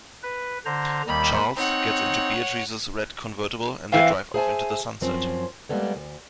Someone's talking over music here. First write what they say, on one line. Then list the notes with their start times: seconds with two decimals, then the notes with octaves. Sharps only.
Charles gets into Beatrice's red convertible and they drive off into the sunset.
0.23 B4
0.65 D3 C5 A#5
1.07 D#2 D#3 G3 B5
1.56 C4 D#4 C#5 F#5
3.92 E3 C4 F5
4.34 G#4 C5 E5 F#5 G#5 A5
5.01 F#2 F3 C4 C#4
5.69 G3 G#3 A#3 B3 A4 C#5
5.96 D2